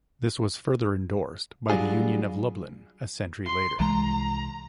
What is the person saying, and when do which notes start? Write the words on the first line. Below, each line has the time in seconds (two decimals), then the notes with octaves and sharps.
This was further endorsed by the Union of Lublin a century later.
1.70 F#3 G3 D4 F4 G#4
3.45 C6
3.80 C2 E3 G#3 A#5